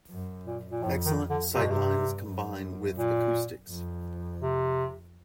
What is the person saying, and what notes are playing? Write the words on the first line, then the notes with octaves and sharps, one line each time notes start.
Excellent sight lines combine with acoustics.
F#2
A#2
A#2
F2 A2
D#3
D3
G2 C3
B2
C3
F#2
A#2
F2
C3